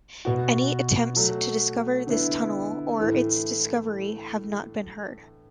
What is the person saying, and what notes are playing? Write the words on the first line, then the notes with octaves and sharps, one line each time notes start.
Any attempts to discover this tunnel or its discovery have not been heard.
B2 B3 F#4
F#3 A3 F#4
D3 B3 E4
A2 E3 A3